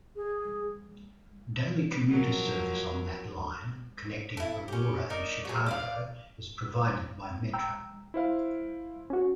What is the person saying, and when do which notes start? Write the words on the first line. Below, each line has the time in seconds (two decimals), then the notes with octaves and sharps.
Daily commuter service on that line, connecting Aurora and Chicago, is provided by Metra.
0.16 G#4
2.08 F3 F#3 A#4
4.37 E4 A4
4.68 C#4 G4
5.10 D#4 A#4 D5
5.45 F#3 G#4
5.66 D5 E5 F5
7.53 G5 A#5 E6
8.14 E4 C5 F5
9.10 C#4 F#4